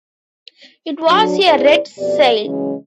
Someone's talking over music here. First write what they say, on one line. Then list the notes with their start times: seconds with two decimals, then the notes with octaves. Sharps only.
It was a red sail.
1.07 F#3 D4
1.46 C3 E4 G#4 C5 D5
1.98 F2 B2 G4 D5
2.44 C#3 E3 F#3 G#3 C#4